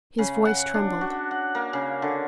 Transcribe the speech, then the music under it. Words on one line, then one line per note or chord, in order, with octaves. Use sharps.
His voice trembled.
C#3
F#5
D4
F#4
F#5
A#3
C#3
D3